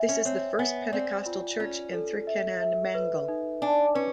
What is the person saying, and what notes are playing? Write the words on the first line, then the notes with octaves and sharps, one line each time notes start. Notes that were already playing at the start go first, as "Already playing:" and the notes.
This is the first Pentecostal Church in Thrikkannamngal.
Already playing: E5 G#5
C#4
C4 C#5
B3 G#5
C4 D5
F4
C#4 F4
A4
E5
E5
B4
D#4
D4 G#5
C#4 B4